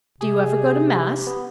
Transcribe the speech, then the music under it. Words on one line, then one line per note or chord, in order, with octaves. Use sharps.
"Do you ever go to mass?"
C3 G4 G#4
B3